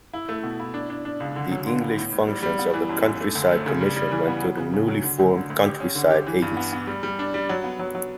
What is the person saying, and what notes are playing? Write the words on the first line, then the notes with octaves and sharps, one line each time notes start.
The English functions of the Countryside Commission went to the newly formed Countryside Agency.
E4
A3
B2
E4
D4
D4
D4
C#2
D3
F#3
D3
B3
A2
A2
G3
G3
B3
E3
F#2
F#2
A3
D2
A3
C#3
G3
G3
E3
B3
F#3
C#3
C#3
F#3
D3
D2
D3
D2
G4
C#4
D3
G4
E3
G2
B3
B3
G3
G3
D4
G3
F#3
B3
F#3
F#3